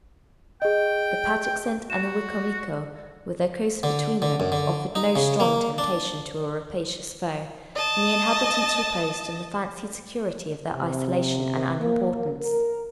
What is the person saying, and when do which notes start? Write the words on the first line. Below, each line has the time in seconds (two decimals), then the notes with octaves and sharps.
The Patuxent and the Wicomico, with the coast between them, offered no strong temptation to a rapacious foe, and the inhabitants reposed in the fancied security of their isolation and unimportance.
0.62 G#4 D#5 G5
1.90 F#4 E7
3.83 D3
4.22 D3
4.40 F#2
4.52 D3
4.95 D#4
5.16 C#3
5.40 A#3
5.78 D4
7.76 D#5 A5
10.73 C3
11.79 A#3
12.40 A#4